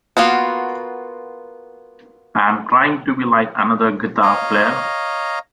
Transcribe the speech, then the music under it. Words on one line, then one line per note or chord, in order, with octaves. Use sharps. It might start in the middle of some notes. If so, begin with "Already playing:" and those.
I'm trying to be like another guitar player.
A#3 B3 F4 F#4
C#5 D#5 F5 A#5